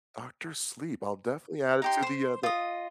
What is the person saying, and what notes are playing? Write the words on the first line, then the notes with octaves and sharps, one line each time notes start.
Doctor Sleep, I'll definitely add it to the, uh, the
D#4 G4 C6
C5 C6
F4 D#5